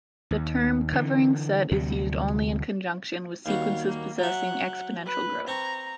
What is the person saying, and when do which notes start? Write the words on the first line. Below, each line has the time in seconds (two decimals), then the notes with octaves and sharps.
The term "covering set" is used only in conjunction with sequences possessing exponential growth.
0.31 D#2
0.92 D3 E3
1.71 D2 C3 F#3 G3
3.46 D#2 G3 F#4 F5
3.87 A#3
4.19 F#3 E5 F#5
5.06 B4
5.48 C4 A#5 C#6